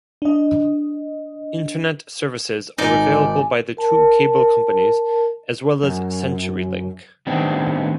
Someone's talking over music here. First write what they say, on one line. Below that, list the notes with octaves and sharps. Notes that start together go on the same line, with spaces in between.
Internet services are available by the two cable companies, as well as Centurylink.
D4 D#5
G#1 D#4 D5 G#5
A#4 A5
F#2
A2 D#3 G3 B3 C4 D4